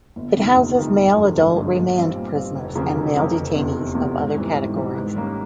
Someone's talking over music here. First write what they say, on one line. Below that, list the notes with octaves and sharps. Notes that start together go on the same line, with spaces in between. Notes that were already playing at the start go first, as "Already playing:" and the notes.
It houses male adult remand prisoners and male detainees of other categories.
G1
F2 C3 D#3
G1
F2 C3 D#3
G#1
G2 D3 F#3
G#1
G2 D3 F#3
A#2
G3 C4 F4
A#2
G3 C4 F4
F1
F2 C#3 F#3 A#3
F1
F2 C#3 F#3 A#3
F1
E2 C3
F1
E2 C3
G#2
E3 G3 C4
G#2
E3 G3 C4
G#2
D#3 G3 A#3 C#4